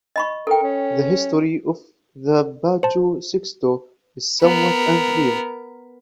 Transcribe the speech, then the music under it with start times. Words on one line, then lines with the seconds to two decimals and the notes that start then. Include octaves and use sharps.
The history of the bajo sexto is somewhat unclear.
0.16 D#5 B5 C#6
0.47 A4 A#4 G5
0.62 C#4
2.83 C5 A5
4.42 B3 A#4